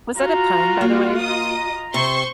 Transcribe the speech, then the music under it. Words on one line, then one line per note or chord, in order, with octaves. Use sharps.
was that a pun, by the way?
F4 F#4 A#5
A#3
D#5 A#5 D#6
C3 C5 C6 C#6